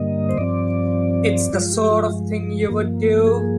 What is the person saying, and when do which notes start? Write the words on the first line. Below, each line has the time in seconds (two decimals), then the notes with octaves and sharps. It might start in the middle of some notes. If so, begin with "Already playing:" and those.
It's the sort of thing you would do.
Already playing: G2 D3 G3 A#3 D#5
0.29 C5
0.38 G2 F3 C4 D5
1.53 G2 F3 G#3 F4
1.72 G4
1.91 F4
2.69 G2 F3 A#3
3.27 G#4